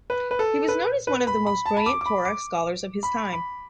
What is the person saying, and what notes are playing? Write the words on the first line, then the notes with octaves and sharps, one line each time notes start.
He was known as one of the most brilliant Torah scholars of his time.
B4
B4
A4
B4
B4
B5
B5
A5
B5
D6
D6
B5
D6
B5
B5